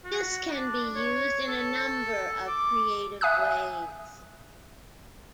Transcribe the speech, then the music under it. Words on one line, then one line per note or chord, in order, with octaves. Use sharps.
This can be used in a number of creative ways.
F#4
D4
C#5
A4
D6
E5 G#5 D#6 F#6